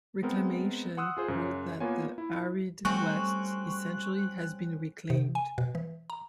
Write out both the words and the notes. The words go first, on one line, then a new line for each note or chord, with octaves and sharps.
Reclamation wrote that The arid West essentially has been reclaimed.
G#3 B3 C4 A#4
F#5 C6 D#6 E6 F#6
F4 G#4 C5
F#2 C#3
A#3 B3 F4 C#5 G#5
E4
G3 A3 C4 C#4 F#4 C#6 F#6
C3
G#5
B2
E3
A#5